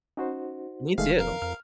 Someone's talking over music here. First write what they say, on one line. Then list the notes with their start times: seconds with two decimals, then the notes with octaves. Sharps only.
Me too.
0.17 C#4 D#4 F#4 C5
0.98 E1 D#3 G#3 A3 F5
1.19 F2 A#4 F5
1.42 F2 F6